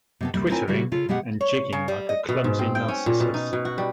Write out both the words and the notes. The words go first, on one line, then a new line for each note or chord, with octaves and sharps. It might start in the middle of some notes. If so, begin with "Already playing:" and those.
Twittering, and jigging like a clumsy Narcissus.
C3 B3 A4
D2 C3 G3 A#3
C4 E4 F4 A#4 C#5 G#5
C#3 G3 E4 F#4
C#3 F4 A4
B2 G#3 B3 G4 G#4 F#5
C#5
C#3
G3
D#5
B2
G#2
C4
G5
C#4
A#2
B2
D#4
B2
F#4
G3